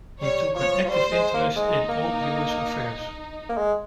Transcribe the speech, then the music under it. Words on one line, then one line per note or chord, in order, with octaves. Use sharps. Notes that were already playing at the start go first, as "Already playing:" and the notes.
He took an active interest in all Jewish affairs.
G3 C#5
F3 C#5
F3
G3 C5
G#3
A#3
G#3 D#4
A#3
A#3
G#3